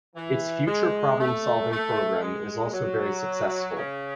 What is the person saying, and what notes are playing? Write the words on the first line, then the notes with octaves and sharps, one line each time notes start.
Its Future Problem Solving Program is also very successful.
E3
G#3
A3
A3
G#3
F#3
C#3